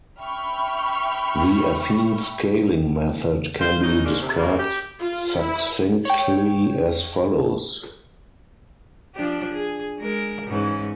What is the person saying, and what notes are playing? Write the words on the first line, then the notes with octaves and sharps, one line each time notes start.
The affine-scaling method can be described succinctly as follows.
E5 G5 B5 C#6 F6
F4 C5
C#3 F#3 D#4
G#3 A#3 C#4 D4
C3
C#3 F#3 G3 A#3
G4
F4
E4
C#5 G5
F3 D4 G4
G#4
G#3 A#4
G#2 E3 C#4